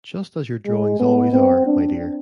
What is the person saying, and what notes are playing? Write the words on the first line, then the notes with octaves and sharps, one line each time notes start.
Just as your drawings always are, my dear.
G#3
B3
C4
D4